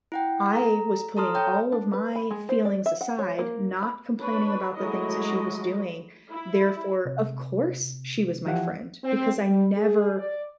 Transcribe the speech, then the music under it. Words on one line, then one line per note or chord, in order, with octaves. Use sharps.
I was putting all of my feelings aside, not complaining about the things that she was doing. Therefore, of course, she was my friend because I never
E4 F#5 G5
A4 A#5
A4 A5 A#5 C6 D#6 F6
C#5 G5 A#5 G6
D4
B4
B5
G#3
C5
D5
E5
F#5
C#5
A#3
B5
D4 B4 C#5
F#3 G#3 A3 E4 D#5
E4
C3
E3 F3 E4 G4 F#5
C4
G3
G#4
D5